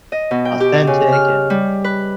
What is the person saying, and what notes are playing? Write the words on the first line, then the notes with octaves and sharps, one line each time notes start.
authentic and
D#5
B2
G5
G4
C#3
F6
G3
B4